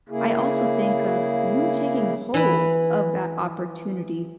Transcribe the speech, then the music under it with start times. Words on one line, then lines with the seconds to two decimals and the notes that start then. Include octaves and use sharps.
I also think of you taking hold of that opportunity
0.09 C#3 A#3 E4 G#4
2.34 E3 B4